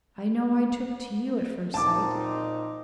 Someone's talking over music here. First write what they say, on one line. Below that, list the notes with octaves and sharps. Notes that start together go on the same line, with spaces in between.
I know I took to you at first sight!
A#2 C4 D#4 A5 D6